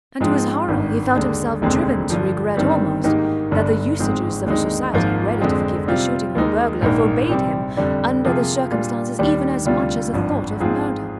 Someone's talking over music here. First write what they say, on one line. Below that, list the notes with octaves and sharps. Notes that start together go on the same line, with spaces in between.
And to his horror he felt himself driven to regret almost that the usages of a society ready to forgive the shooting of a burglar forbade him, under the circumstances, even as much as a thought of murder.
G#2 F3 G#3 C4
G#1 G2 D#3
D#2 D3 G#3
F1 D#2 D3 G#3 C4
G2 D3 F3
G1 G2 D#3 G3 C4
G#2 D#3 A#3 D#4 G4
G1 G2 D3
G#1 G#2 F3 G#3 C4
D#2 D3 G#3 C4 D#4
G#1 G#2 F3 A#3 F4
F2 D3 G#3 C4
C3 G3 C4 F4
D#2 D#3 G#3 D#4
A#1 G#2 D#3 A#3
C3 G3 C4
F2 D3 G3
C3 F3 A#3 F4 G#4
A#2 G3 D4 F4
D#2 D#3 G3 D4 G4
D2 C3 G3 D4 F4
G#1 G2 F3
G#2 F3 C4 F4 G#4